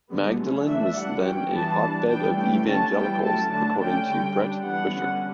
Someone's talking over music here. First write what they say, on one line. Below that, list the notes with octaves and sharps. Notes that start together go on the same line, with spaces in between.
Magdalen was then "a hotbed of evangelicals," according to Brett Usher.
D3 G3 B3
F#3 A3 C#4
E3 A3 D4 E5
E3 G3 D4 F#5
F#3 C#4 G5
E3 G3 B3 A5
G3 D4
E3 G3 B3 D4 G5
E3 A3 C#4 G5
D3 A3 C#4 A5
E3 G3 B3 G5
F#3 A3 C#4 A5
D3 A3 D4 A5
D3 A3 C#4 G5
D3 G3 C#4
G3 D4
E3 G3 B3 D4 F#5
D3 G3 C#4